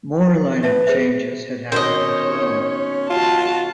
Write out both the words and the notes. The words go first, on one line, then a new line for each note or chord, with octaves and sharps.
More lineup changes had happened as well.
B4 E5 A5
G#4 C5 E5
B2 D#3 C4 C#4 C5 C#5 D#5
F4 F#4 A5